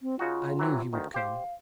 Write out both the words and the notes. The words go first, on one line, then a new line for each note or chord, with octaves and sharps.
I knew he would come.
C4
C#3 D#4 F4 F#4
C3 E3 F#3
D2 D#3
G4 C5 F5